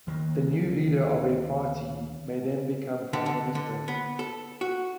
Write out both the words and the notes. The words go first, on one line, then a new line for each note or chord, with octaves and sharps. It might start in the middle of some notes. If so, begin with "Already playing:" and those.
The new leader of a party may then become prime minister.
D2 D#3 A#3
D3
D3
D3
B3
A4
F#4